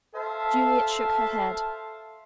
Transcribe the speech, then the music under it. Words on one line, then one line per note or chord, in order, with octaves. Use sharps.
Juliet shook her head.
A4 C5 E5 F5 A5